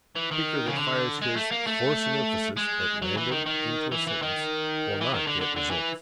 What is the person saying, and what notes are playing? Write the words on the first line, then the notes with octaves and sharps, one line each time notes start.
The speaker that fires his force and emphasis at random into a sentence will not get results.
E3
D#3
C#3
D3
G#3
A3
A#3
A3
G#3
F#3
E3
D#3
D#3
E3
E3
D#3
E3
D#3
D3
D3
D3
E3